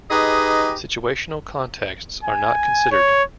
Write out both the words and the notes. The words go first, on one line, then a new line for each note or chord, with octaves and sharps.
Situational contexts are not considered.
D#4 G4 G#4 B4 D#5
G#5
C#5